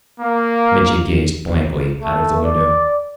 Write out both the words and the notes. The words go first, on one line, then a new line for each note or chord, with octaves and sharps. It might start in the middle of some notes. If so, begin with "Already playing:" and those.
Mitya gazed blankly out of the window.
A#3
A3
D5